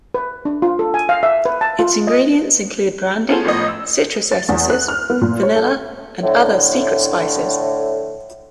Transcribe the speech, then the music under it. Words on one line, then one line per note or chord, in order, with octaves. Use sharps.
Its ingredients include brandy, citrus essences, vanilla, and other secret spices.
B4
D4
F4
A4
G#5
F5
E5
B4
A5
F4
D#5
B3 C#4 F4 G#4 A4 C5
A1 A2 F3 B3 F4 D#5
E6
A6
E2
F#6
F6
B3
A#2
C#5
A4
A2 D3